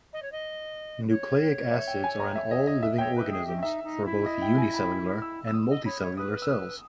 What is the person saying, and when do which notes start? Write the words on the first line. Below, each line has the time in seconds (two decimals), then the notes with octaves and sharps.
Nucleic acids are in all living organisms for both unicellular and multi-cellular cells.
0.13 D#5
0.22 C#5
0.32 D#5
1.08 C#5
1.71 E5
1.87 G5
2.04 G#5
2.20 A#5
2.35 E5
2.51 D#5
2.67 D#5
2.83 E5
2.98 C#5 G5
3.15 B4
3.31 G#4
3.46 G4
3.56 C#4
3.62 D#4 E5
3.83 D#4
4.05 E4
4.26 D#5
4.42 G5
4.58 G#5
4.74 B5
5.22 E6
5.48 E6
5.53 D#6
5.69 D#5
5.85 C#5 B5
6.01 C#5
6.17 B4 D#6
6.42 E6
6.48 D#6